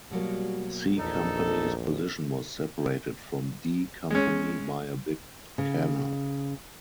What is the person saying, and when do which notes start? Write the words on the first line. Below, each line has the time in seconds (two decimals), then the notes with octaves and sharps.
C Company's position was separated from D Company by a big canal.
0.11 B2 F#3 G3 A#3
0.98 A#1 E2 D#4 A4
4.11 G#3 C#4
5.58 C#3